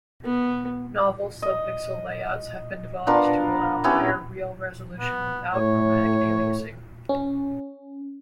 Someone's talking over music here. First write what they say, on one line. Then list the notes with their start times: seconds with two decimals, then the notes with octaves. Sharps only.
Novel subpixel layouts have been developed to allow higher real resolution without chromatic aliasing.
0.24 B3
1.42 D#5
3.07 B3 D4 F4 A#4
3.84 B3 C#4 E4 G4
5.00 B3
5.54 A2 C#5
7.09 C#4